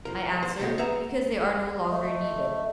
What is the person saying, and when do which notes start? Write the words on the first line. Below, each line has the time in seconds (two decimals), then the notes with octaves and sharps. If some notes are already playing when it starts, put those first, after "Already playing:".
I answer: Because they are no longer needed.
0.05 F3 A#4
0.43 C5
0.59 D#2 C#3 G#3 F#4 G4
0.78 G#4 B4 E5 F#5 A#5
1.90 A3 D#5